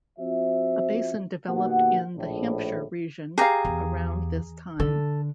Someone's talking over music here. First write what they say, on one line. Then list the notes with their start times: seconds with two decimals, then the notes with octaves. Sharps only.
A basin developed in the Hampshire region around this time.
0.19 F3 C4 F4 F#4 C5 E5
1.49 B2 D#3 A#3 G4 F#5
2.17 A#1 A2
3.38 G4 G#4 F5 A#5
3.65 E2
4.80 D3 A4